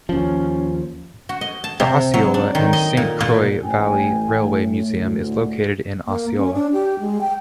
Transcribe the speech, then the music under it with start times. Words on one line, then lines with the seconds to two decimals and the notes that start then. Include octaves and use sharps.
The Osceola and Saint Croix Valley Railway Museum is located in Osceola.
0.09 D#2 F3 C#4
1.29 F#4
1.41 D#5
1.64 A5
1.80 C3
2.14 F#3
2.34 D4
2.55 D#3
2.73 D#5
2.97 A#2
3.20 A#2
3.64 A1 A2 G5 G#5
4.96 D2
6.06 A#3
6.36 C#4
6.54 D4
6.73 G4
6.99 G#3
7.21 G5